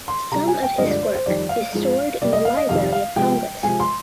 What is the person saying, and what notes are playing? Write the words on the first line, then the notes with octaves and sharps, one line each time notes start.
Some of his work is stored in the Library of Congress.
C6
C3 G3 A#5
G#5
G5
G2 D3 F3 G#3 D#5
D5
C5
C5
F2 D#3 G3 D5
F5
G#2 F3 G#3
C3 G3 D5
D#5
F5
D#5
F2 C3 D#3 G3 F5
F5
C3 F3 G#3 G5
C3 F3 G#3 G#5
C6